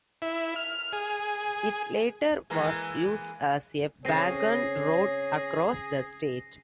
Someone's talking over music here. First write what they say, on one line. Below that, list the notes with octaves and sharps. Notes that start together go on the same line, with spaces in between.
It later was used as a wagon road across the state.
E4
F6
G#4
E3 G#3 A#3
C#3 C4 G#4 C#5 A#6 C7 D#7